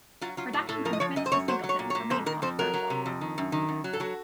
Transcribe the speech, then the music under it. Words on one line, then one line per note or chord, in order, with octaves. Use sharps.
Reduction from twins to singleton remains controversial.
F#3 F4
F#3 F4
A2
A2 A4
F3 A#4
D#5
F3 C#5
F#2 D#5
C5
F#2 C#5
F#3 C5
F#3
C#5
A#2
C#5
A#2
F2 C5
D#3 A#4
F2 C5
F#3 A#4
F#3
C3
F2
D#3
F#2
D#3
F#2
F#3
A4
F#3 F#4